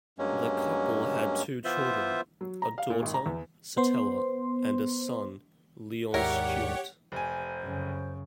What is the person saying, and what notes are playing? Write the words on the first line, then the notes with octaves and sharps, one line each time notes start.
The couple had two children: a daughter, Satella, and a son, Leon Stewart.
G2 F#3 G#3 A#3 C#4
E3 B3 F4 C5 E5
F#3
A#5
F5
A#2
G#1
A#5
E2
B3 C5 C6
D#2 G#2 E4 G4 A#4 C#5 D5 F#5
F1 C5 G#5
F#2 C#3